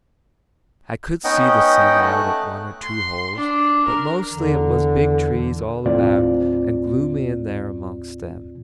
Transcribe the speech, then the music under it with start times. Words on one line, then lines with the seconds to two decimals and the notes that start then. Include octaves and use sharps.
I could see the sun out at one or two holes, but mostly it was big trees all about, and gloomy in there amongst them.
1.24 B3 C#4 D#4 D#5 F#5 G5
2.03 A3 F#6
2.83 C6
3.36 D4
3.88 A#4
4.32 E2 D3
5.86 D#2 A2 C4 F4 D5